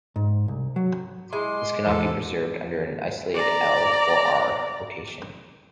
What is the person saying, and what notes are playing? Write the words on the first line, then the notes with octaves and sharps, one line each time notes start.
This cannot be preserved under an isolated "L" or "R" rotation.
G#2
C2
F#3
G#3 E4 C6 D6
E2 E3 A4 C5
D5 A#5